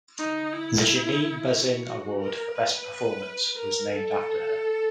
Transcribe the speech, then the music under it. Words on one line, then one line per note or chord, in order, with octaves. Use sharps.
The Janine Bazin Award for Best Performance was named after her.
D#4
E4
F#4
A#4
B4
A#4
A4